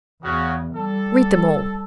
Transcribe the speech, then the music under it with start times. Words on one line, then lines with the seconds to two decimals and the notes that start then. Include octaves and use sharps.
"Read them all!"
0.23 E2 C#3 F#4
0.74 G3 A4